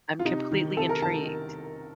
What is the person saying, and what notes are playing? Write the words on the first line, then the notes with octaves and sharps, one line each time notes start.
I'm completely intrigued.
F4
C3 D#4
D#3
C3 A4
A#4
D#3 A5